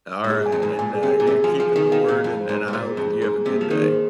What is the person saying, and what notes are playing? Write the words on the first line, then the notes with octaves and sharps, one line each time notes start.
Alright, and, uh, yeah, keeping the word, and and I hope you have a good day.
G#2
A#2 G#4
G#5
F2
G#2 G#5
A#2 G#5
G#4
C3
G#4
A#2
C3 G#5
F3 G#5
F3 G#4
D#3 G#4
D#3 F5
A#2 F5
F2 G#4
C5
G#2
C5
G#2
A#2 A#3
G#4
F2
G#4
G#2 G#4
A#3
C3
A#3
F3
D#3 G#4
C5